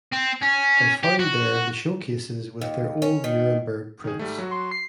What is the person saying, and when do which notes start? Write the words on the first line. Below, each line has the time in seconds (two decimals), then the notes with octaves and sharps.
I found there the show-cases with their old Nuremberg prints.
0.13 C4
0.43 C#4
1.03 G4
1.19 F#4
2.61 D#2
3.02 C#4
3.24 D#3
4.04 D#3 G#4
4.19 G#2 G3 A3
4.38 F#3 F#4
4.51 C6
4.71 C7